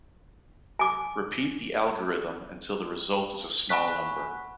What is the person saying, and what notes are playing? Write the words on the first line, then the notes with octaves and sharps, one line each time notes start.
Repeat the algorithm until the result is a small number.
G#5 D6
F#5 G#5 B5 C#6 F#6 B6